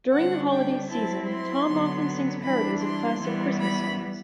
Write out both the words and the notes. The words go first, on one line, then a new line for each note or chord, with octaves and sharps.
During the holiday season, Tom often sings parodies of classic Christmas songs.
D3 G3 D4 F#5
G5
F#3 C4 E4 A5
C6
D3 F#3 B3
E3 G3 D4 B5
C6
E3 G3 B3
B5